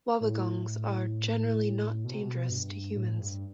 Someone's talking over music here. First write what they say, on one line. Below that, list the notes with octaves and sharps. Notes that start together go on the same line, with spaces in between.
Wobbegongs are generally not dangerous to humans.
A2
B2
C3
B2
G2
A2
G2